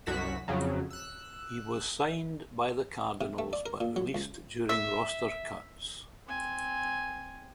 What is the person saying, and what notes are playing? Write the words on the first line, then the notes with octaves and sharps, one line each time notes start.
He was signed by the Cardinals but released during roster cuts.
C2 F#2 F#4 B6 E7
F2 C#3 F#3
E6 F#6
C3
A3
D5
A#4
A#2
F#3
C#2
E5
C4 G#5